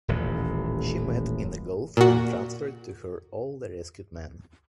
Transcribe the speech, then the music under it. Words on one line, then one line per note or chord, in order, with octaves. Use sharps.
She met in the Gulf and transferred to her all the rescued men.
D#1 A1
A#2 F#4